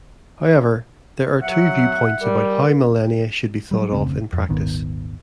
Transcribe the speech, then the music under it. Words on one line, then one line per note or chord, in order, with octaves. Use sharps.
However, there are two viewpoints about how millennia should be thought of in practice.
F#3 E5 F#5
G3 A#4
F#3 G3
F1 D2 C#3 C4
F2
D#1 G#1 D#3 B3